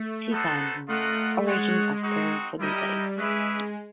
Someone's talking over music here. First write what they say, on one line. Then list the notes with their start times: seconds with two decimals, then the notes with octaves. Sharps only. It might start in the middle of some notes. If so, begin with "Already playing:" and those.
See time domain: origin of term for details.
Already playing: A3
0.31 B3 D#4 F#4 A4 C5
0.88 A3 F4 A#4 D#5 F#5
1.45 G#3 F#4 A4 C#5 F#5
2.02 C4 D#4 F#4
2.59 G3 E4 G4 A#4 D#5
3.16 G#3 C#4 E4 G#4 B4 E5